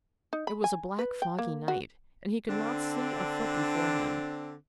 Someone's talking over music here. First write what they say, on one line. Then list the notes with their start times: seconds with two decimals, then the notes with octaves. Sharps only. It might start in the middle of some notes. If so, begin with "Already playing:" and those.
It was a black, foggy night, and he could not see a foot before him.
0.33 D#4
0.47 B5
0.64 G#5
0.99 B4
1.22 G5
1.39 A#3
1.68 F#4
2.48 D3 C4 D4